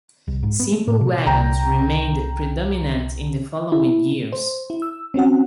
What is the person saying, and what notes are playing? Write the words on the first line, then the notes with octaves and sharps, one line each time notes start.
Simple wagons remained predominant in the following years.
C2
G#2
B3
A3
A2
B2
C2 G5 A#5
E4
C5
E4
E6
C4 C#4 F#4 F#5